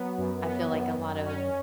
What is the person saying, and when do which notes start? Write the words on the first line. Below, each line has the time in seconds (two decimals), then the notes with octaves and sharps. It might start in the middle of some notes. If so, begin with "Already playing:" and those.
I feel like, a lot of
Already playing: F#3 B3
0.18 F#2
0.45 B3
0.71 F#2
0.98 F#2
1.25 C#4